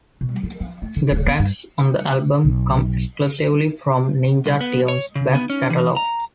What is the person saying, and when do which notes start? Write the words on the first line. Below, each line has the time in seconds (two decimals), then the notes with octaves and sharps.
The tracks on the album come exclusively from Ninja Tune's back catalogue.
0.21 B2
0.43 F3
0.60 F3
0.82 A3
0.96 D3
1.11 D1
1.27 B3
1.39 G2
2.45 B1
4.46 C2
4.61 B3
4.88 C#5
5.15 C#3
5.35 B3
5.50 C#4
5.70 E3
5.97 A#5